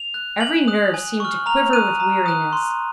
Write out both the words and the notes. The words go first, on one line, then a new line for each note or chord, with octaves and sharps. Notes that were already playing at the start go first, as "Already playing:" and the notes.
Every nerve seemed to quiver with weariness.
Already playing: F7
F#6
G#5 F#7
D#6 F#6
G#5
C#6 F6
A#5 F7
D#6 F#6 D#7
A#5
D#6 F#6
C6